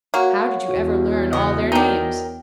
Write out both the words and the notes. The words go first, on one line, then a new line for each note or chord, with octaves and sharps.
"How did you ever learn all their names?"
A#3 F#4 C#5
E2
C#3 B3 D#5
D4 D#4 A#4 G5